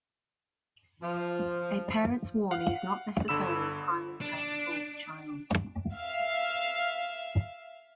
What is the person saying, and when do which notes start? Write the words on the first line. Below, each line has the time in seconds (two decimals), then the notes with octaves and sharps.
A parent's warning is not necessarily a Primal Pain for the child.
1.02 F3
2.51 F5 F#5
3.28 G1 D3 B5 E6 E7
4.21 D4
5.93 E5 F5